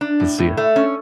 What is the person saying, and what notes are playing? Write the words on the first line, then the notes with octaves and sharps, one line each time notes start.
I'll see ya.
D4
A2
A2
A3
C#4